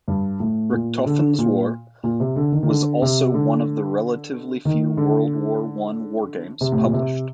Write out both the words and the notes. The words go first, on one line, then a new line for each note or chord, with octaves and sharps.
"Richthofen's War" was also one of the relatively few World War One wargames published.
G2
A2
A#2
D3
A#2
A#2
C3
D3
D#3
D#3
D3
C3
D3
D#3
D3
C3
A2
A#2
C3